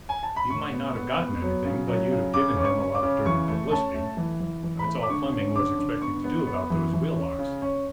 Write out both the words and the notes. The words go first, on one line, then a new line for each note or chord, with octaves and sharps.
"You might not have gotten anything, but you'd have given him a lot of dirty publicity. That's all Fleming was expecting to do about those wheel locks."
G#5
A5
B5
A2 C#6
B3
B3
B3
F#3
C#3
F#3
C#3
C#3 D6
C#4 D6
C#6
C#4
D6
C#3
E3 C#6
A3
C#4 A5
A3
E3
E3
E3
B5
A3
D6
D3 C#6
C#4
D3 D6
D3
B3 C#6
B3
B3
E3
E3
C#4
C#3
C#4